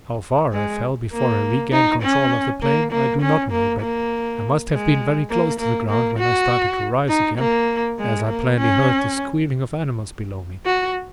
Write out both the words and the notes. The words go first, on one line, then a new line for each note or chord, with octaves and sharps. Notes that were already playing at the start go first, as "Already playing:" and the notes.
How far I fell before I regained control of the plane I do not know, but I must have been very close to the ground when I started to rise again, as I plainly heard the squealing of animals below me.
G#3
A#3
D#4
C#4
A#3
A#3
C#4
A#3
A#3
G#3
A#3
A#3
A#3
F#4
D#4
A#3
G#3
A#3
C#4
F#4